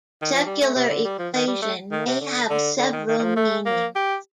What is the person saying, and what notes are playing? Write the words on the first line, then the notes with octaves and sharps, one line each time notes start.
"Secular equation" may have several meanings.
D#3
F3
G3
A3
C3
D3
G3
F3
D#3
G3
A3
D#3
C3
D3
D3
D3
D#3
D#3
D#3
F3
A3
A#3
G4